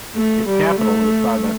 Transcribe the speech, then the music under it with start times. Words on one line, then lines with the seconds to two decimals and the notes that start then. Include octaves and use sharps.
Its capital is Sibut.
0.16 A3
0.47 G3
0.79 A3